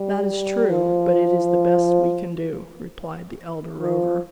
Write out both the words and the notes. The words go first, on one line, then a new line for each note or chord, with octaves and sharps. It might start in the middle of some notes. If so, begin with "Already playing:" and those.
"That is true, but it is the best we can do," replied the elder Rover.
Already playing: G3
F3
F3